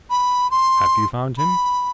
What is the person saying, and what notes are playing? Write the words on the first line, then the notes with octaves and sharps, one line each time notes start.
"Have you found him?"
B5
C6
B5